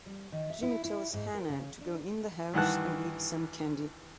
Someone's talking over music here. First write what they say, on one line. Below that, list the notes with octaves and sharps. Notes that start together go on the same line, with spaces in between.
Jimmy tells Hannah to go in the house and leave some candy.
G3
D#3
E5
E4
E4
G#2
A#4
C#3
D4
G2 D#3 E3 F#5 A5 F#6